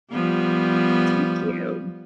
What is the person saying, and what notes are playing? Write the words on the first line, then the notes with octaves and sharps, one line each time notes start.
Thank you.
F3 G3 B3